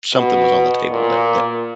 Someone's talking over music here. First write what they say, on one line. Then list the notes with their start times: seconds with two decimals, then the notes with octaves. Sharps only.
something was on the table that that
0.14 B2
0.91 A#2